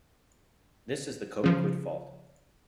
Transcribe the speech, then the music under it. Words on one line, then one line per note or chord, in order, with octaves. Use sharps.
This is the Cobequid Fault.
C#3 F3